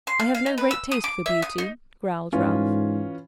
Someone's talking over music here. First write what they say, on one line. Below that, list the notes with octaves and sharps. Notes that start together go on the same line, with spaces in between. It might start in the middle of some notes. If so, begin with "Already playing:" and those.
'I have no great taste for beauty,' growled Ralph.
C6
F5
F5
D#4
B4
E6
D#6
D6
E5
D#6
D#4
G#2 E3 C#4 F4